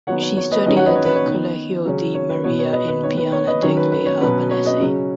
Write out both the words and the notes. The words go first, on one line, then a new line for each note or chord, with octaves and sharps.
She studied at the Collegio di Maria in Piana degli Albanesi.
D#3 F#3 B3 C#5 F#5
C#5
C#5
B4 D#5
D#3 F#3 C#4 B4 D#5
C#5 F#5
B4 D#5
C#5
B4
C#5
D#3 B3
C#3 F#3 C#4
C#5
B4
B2 B3 C#5
C#5
B4 D#5
B4
D#3 B3 C#5
B4
C#5
B4 D#5
D#3 F#3 C#4 C#5
B4
B4
C#5
B2 F#3 C#4 B4
C#5
B4 D#5
C#3 F#3 C#4